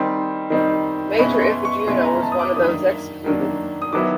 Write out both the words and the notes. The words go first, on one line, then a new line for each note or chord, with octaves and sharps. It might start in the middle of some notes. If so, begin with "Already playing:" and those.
Major Ifejuna was one of those executed.
Already playing: D#3 G3 C4 D#4 C6
D#3 G3 C4 D#4
B2 G#3 C#4 E4 B5
C6
C#6
B2 G#3 C#4 E4 C6
A#5
A5
D#6
D6
D#3 F#3 A#3 D4 D#6
D#3 F#3 A#3 D4
D#6
D#3 F#3 B3 E4 D6